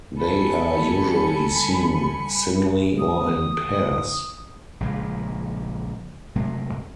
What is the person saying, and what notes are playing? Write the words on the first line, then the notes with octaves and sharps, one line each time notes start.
They are usually seen singly or in pairs.
G3 A4 G#5 B5 C#7
D#6
A#1 C#3 G#3
C3 F#3 G#3 A3